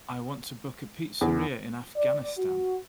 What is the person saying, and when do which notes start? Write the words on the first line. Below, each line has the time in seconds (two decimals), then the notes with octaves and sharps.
I want to book a pizzeria in Afghanistan.
1.21 E2
1.96 D5
2.38 F#4